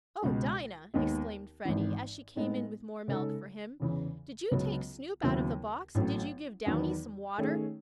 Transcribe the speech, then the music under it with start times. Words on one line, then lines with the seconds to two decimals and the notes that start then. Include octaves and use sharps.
"Oh, Dinah!" exclaimed Freddie, as she came in with more milk for him, "did you take Snoop out of the box and did you give Downy some water?"
0.22 C#2 B2 G#3
0.94 D#2 D#3 G#3 B3 D#4
1.65 G#1 G#2 E3
2.36 A2 G#3 B3 D#4
3.08 C#3 G#3 D#4 A4
3.80 E2 C#3 E3
4.51 C#2 C#3 F#3 B3
5.23 D#2 C#3 F#3 B3 E4
5.95 A1 A2 F#3
6.66 E2 D#3 F#3 B3
7.38 D#3 A3 C#4 G#4 C#5